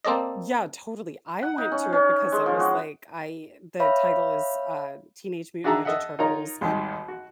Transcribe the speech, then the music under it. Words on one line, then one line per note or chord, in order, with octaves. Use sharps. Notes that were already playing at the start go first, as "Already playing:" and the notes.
Yeah, totally. I went to it because I was like, I the title is, uh, Teenage Mutant Ninja Turtles
A#3 C4 A4 D5 D#5
F#5
D#4
C#4
C#4
G#3
F3
F#4
C#5 E5 F5 B5
D4 F#4 G#4 E5 A5 A#5
A4 D#5 E5 F#5
D#4 F4 A#4 C#5 D#5 A#5
G#1 D#2 D#3 G3
F#4